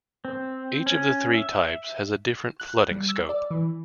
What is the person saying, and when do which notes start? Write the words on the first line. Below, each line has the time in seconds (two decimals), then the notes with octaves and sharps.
Each of the three types has a different flooding scope.
0.25 C4
0.86 C#4
1.34 E5
2.60 F#6
2.91 G3
3.09 E6
3.29 D5
3.51 E3